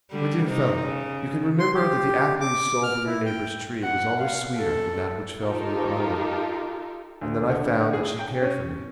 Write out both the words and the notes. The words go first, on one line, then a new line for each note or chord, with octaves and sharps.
"My dear fellow, you can remember that the apple you stole from your neighbour's tree was always sweeter than that which fell from your own. And then I found that she cared for me."
D3 G3
C3 D#4
C#3
C6
G4
D6
F6
E4
G5
F#5
F5
A4
D#4 F4 G4 A4 A#4
D2
D3
D3
G#4
G5
C#4